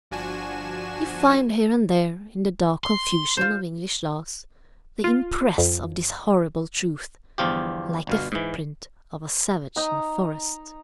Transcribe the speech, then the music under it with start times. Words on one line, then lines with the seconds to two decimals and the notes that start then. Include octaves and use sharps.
You find here and there in the dark confusion of English laws the impress of this horrible truth, like the foot-print of a savage in a forest.
0.11 G1 F3 D4 F#4 G#5 E7
2.84 C6
3.37 F4 C5
5.04 F4
5.58 F2
7.38 G1 E2 F3 F4 G4
8.07 G1 B2 F5
8.32 G#2 E3
9.76 D#4 A#5